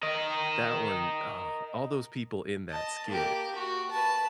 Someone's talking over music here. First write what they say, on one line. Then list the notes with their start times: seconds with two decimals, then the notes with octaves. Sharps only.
that one. Oh, all those people in that skit
0.03 A#4 D#5
2.69 D#5 A5
3.08 A#3 G4
3.55 F#4
3.91 B4 A5